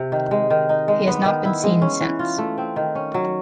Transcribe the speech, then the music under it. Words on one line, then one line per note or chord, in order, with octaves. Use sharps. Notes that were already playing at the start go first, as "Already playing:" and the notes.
He has not been seen since.
Already playing: C3
D#3
G#3
D#3
D#4
G#3
B3
D#3
E4
G#3
C#4
E3
F4
A3
C4
D#3
C#4
F#3